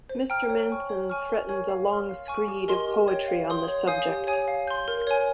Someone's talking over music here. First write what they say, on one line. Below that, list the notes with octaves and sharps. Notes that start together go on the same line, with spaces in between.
Mr. Manson threatens a long screed of poetry on the subject.
C5
G5 A#5 F6
C#5
G#5 C#6 F6
C#5
G#5 C#6 F6
A#4
C#5 G#5 C#6
F5
C6 F6
F5
G#5 C#6 F6
G4
A#4 D#5 G#5 C6
G4
C#5 G5
F5
C6 D#6 G6
C#5
F5 G#5 D#6 G6
G4
C#5 G#5 D#6
F5
C6 G6
A#4
C#5 G#5